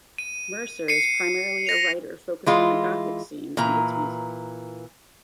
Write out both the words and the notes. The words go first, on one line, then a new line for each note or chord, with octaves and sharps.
Mercer is primarily a writer focused on the gothic scene and its music.
D#7
C7 C#7 D#7
A#6 F7
E3 G#3 F4
A#2 E3 A#5